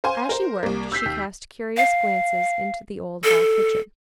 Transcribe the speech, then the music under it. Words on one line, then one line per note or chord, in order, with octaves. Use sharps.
As she worked, she cast curious glances into the old hall-kitchen.
C5 F5 G#5 C6
A#4 C5
C2 A#3
E6 G6 B6 C7
D#2
F5
A4